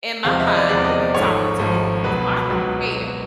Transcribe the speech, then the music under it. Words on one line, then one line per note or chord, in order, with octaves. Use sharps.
in my mind, you're not talking to me, s I don't care.
E2 C3 F3 G#3 F5
E5
D#5
D5
E2 C3 F3 G#3 D5
D#5
D5
G#1 G#2 F3 A3 C#5
G#1 G#2 F3 A3
C#2 B2 F#3 B4
C#2 B2 F#3